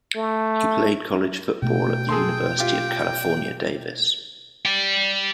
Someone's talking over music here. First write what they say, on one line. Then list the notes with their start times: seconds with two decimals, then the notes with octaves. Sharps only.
He played college football at the University of California-Davis.
0.16 A3
1.62 B2 A3 G5
2.09 G#4 A4 C6
2.59 F4 G4
4.65 D5 G5